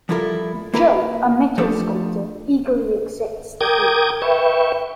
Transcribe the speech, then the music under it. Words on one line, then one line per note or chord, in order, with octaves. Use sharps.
Jill, a metal sculptor, eagerly accepts the head.
F3 G3 E4 F4 A4 A#4
A#3 E4 A#4 B4 B5
F3 A3 D4 G4 A4
A#4 G5 D6 D#6 G6 G#6
B4 E5 G5 C#6